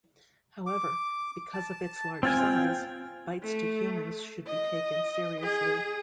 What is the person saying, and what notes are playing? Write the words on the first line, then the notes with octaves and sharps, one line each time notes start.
However, because of its large size, bites to humans should be taken seriously.
D6
A5
C4 F4 G5 G#5
A3
D#5
G#4